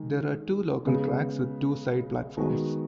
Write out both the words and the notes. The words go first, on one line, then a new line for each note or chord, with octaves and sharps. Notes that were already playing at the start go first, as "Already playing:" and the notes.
There are two local tracks with two side platforms.
Already playing: D#3 G#3
C#3 G#3 B3
D#3 G#3 B3 F#4